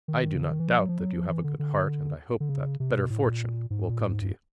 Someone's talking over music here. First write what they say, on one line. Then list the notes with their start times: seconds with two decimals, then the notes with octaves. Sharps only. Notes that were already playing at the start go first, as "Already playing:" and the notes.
I do not doubt that you have a good heart; and I hope that better fortune will come to you.
0.08 D#3
0.34 C#3
0.43 D3
0.51 D#3
0.60 E3
0.68 F3
0.79 F#3
0.89 F3
0.99 F#3
1.13 F3
1.29 E3
1.44 D3
1.59 D3
2.40 D3
2.49 C#3
2.80 C3
2.95 B2
3.10 A2
3.25 A#2
3.70 G#2
3.90 A#2
4.00 A2
4.10 G#2
4.21 G2